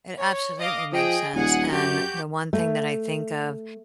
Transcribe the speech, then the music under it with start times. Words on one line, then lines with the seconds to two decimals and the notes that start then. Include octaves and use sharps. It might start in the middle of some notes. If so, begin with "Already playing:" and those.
It absolutely makes sense, and the one thing that I think of
0.17 C#5
0.58 D#5 F5 D6
0.93 F3 G#4 D#5 G5
1.34 D#1 G#4 F#5 G#5
1.71 F#2 F#4 G4 G6
2.53 A3